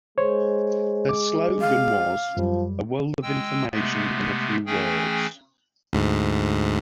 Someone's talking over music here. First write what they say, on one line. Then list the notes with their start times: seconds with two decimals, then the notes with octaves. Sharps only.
Their slogan was "A World of Information in a few words".
0.18 G#3 C5 C#5
1.09 D6
1.61 F5
2.37 F#2 F3 G3
3.23 G#3 G5 E6
3.72 C3 G#3 A3 B3
4.66 E3 A3 C#4 G#4 G5
5.93 D2 G#2